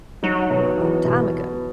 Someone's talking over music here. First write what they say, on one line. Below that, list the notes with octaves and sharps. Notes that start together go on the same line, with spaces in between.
a long time ago,
F#3 D#4
B2
E2
B2